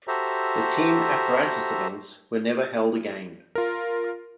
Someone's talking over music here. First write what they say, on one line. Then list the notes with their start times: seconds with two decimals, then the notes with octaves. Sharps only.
The team apparatus events were never held again.
0.08 F#4 G4 A4 C5 E5 A#5
3.55 F4 A#4